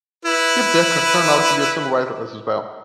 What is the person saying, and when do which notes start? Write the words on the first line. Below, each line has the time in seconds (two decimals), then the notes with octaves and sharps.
Piet Dekker turned out to be a songwriter as well.
0.25 E4 B4